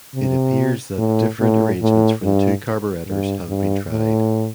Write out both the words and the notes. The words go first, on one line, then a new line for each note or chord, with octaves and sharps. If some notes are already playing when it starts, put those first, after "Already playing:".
It appears that different arrangements for the two carburettors have been tried.
C3
A2
A2
A2
G2
G2
G2
A2